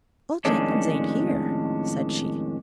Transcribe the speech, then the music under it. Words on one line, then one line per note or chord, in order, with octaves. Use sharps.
"Old Jenkins ain't here," said she.
F2 A2 D#3 G#3 C#4 D4